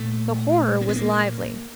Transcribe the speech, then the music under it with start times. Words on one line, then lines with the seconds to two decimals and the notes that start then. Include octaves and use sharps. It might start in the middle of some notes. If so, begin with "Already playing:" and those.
The horror was lively.
Already playing: A#2 A3
0.81 A#3
0.89 B3
0.96 A#3